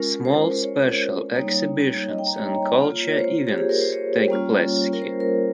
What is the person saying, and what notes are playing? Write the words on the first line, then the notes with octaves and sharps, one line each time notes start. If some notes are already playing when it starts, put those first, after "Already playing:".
Small special exhibitions and cultural events take place here.
Already playing: G#3 C#4 F4 A#4
A#4
C5
C#5
G3 A#3 D#4 C#5
D#5
G5
A#5
C#5
A#3 F4
C#5
C5
G4
G#4
A#4
C5
C#5
G3 A#3 C#4 F4
A#4
C5
A#4